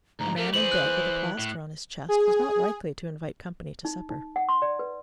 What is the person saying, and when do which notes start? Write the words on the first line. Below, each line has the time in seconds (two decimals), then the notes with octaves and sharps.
A man in bed, with a plaster on his chest, was not likely to invite company to supper.
0.20 D2 G#2 A#5
0.37 A3 G4 A#4
0.54 E3 G#4 C5 F#7
0.72 F#6
1.39 A2
2.09 G#4
3.85 D#4
4.10 D#4
4.36 F#5
4.49 C6
4.62 D5
4.79 B4